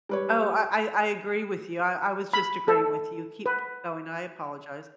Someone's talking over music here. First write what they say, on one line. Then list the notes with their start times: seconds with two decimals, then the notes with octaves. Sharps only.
Oh I I I agree with you. I I was just agreeing with you. Keep k going. I apologize.
0.09 G3 B4 C#5
2.33 B5
2.68 A4
3.46 B4